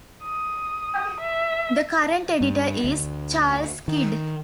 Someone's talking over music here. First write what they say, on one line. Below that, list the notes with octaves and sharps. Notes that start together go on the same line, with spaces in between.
The current editor is Charles Kidd.
D#6
E5
G2
D2
D#3